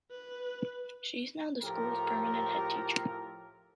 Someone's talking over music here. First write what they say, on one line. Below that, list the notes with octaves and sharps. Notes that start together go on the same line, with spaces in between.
She is now the school's permanent headteacher.
B4
A2 F3 G4 A4 A#4